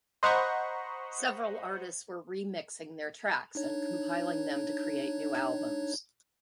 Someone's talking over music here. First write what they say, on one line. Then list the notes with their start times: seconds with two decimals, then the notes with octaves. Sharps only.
Several artists were remixing their tracks and compiling them to create new albums.
0.23 C5 D#5 F#5 A#5 B5 C#6
3.55 D4 D#4 C#5